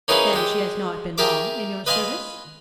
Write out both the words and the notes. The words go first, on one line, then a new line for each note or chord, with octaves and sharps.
"Then she has not been long in your service?"
A#3 C#4 D#4 E4 G#4 B4
G#3 G4
G4 G#4 A#4 E5 D6
B4 D#5 F5 G#5 B5 C6